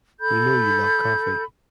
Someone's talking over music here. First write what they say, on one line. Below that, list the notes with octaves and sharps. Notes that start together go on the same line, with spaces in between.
We know you love coffee.
A4 B5 G6